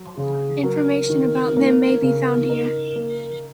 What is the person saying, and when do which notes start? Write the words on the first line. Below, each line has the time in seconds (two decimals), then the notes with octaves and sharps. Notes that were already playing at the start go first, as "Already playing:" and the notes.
Information about them may be found here.
Already playing: F#3
0.17 C#3 G#4
0.63 F#3 A#4
1.10 D#3
1.56 A#3
2.02 C#3
2.49 D#4
2.96 A#3